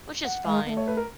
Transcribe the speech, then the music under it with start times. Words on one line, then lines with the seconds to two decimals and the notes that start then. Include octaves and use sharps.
Which is fine.
0.25 F#5
0.44 G#3 F5
0.66 B3
0.69 A3
0.77 C#5
0.88 B4
0.97 A#4